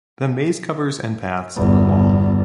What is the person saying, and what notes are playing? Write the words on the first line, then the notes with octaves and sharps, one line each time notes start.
The maze covers and paths are long.
G1 E2